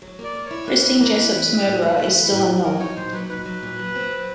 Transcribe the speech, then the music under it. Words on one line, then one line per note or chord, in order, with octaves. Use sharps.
Christine Jessop's murderer is still unknown.
F#3
A#3 D5
A#3
E4 C#5
A#3 B4
E4
A#3
E4
E3
A2
A2
A3
A3
E3
A2
A2
F#3 A#4
D#4 C#5
A#2 C5
F#3 B4
D#4 B4
F#3
A#2
F#3
C4
F#3